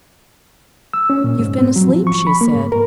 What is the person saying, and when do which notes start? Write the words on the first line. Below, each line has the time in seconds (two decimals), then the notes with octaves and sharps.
"You've been asleep," she said.
0.93 E6
1.10 C#4
1.24 A#2
1.39 G#2
1.58 C4
1.76 F#3
1.89 F3
2.07 C#6
2.27 B5
2.41 A#3
2.54 G#2
2.72 A#4